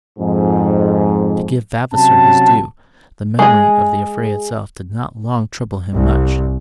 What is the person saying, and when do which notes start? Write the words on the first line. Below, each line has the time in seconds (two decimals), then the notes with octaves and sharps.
To give Vavasor his due, the memory of the affray itself did not long trouble him much.
0.19 F2 G#2
1.93 C3 F#3 C#4 A5
3.39 G#3 G#4
5.94 C2